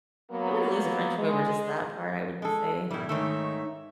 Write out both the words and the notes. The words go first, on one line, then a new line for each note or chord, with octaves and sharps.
I wouldn't lose a friendship over just that part, I wouldn't say.
F#3 A#3 B3
G#3
G#3 A4
G#2 B2 D#3 G3 E4
G#2 D#3 A3 D#4 C#5 E5